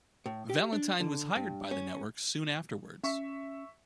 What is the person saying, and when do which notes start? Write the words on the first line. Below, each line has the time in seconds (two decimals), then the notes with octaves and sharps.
Valentine was hired by the network soon afterwards.
0.26 A2
0.50 G4
0.73 D4
1.00 D3
1.35 G2
1.71 C#4
3.03 C#4 E5 C#6 B6